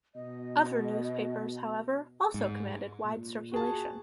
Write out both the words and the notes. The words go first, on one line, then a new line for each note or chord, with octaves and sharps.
Other newspapers, however, also commanded wide circulation.
B2 D#5
G#2
A#2
F#4 G#4 A5